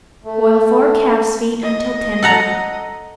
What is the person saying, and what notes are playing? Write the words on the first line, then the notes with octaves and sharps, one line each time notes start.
Boil four calves' feet until tender.
A3
D#5
A4 F#5 A#5